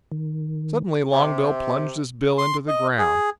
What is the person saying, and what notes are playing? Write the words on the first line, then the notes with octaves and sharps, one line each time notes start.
Suddenly Longbill plunged his bill into the ground.
D#3
C3
C6
D#5
G#4